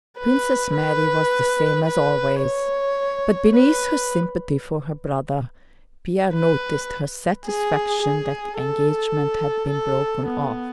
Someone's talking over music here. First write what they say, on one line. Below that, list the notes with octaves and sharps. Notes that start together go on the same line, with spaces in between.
Princess Mary was the same as always, but beneath her sympathy for her brother, Pierre noticed her satisfaction that the engagement had been broken off.
B4
B4
B4
C#5
B4
B4
G#4
G#4
A4
A4
B3